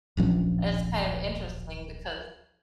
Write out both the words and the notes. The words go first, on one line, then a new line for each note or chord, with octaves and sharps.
and it's kind of interesting because
D1 A#1 F3 C#4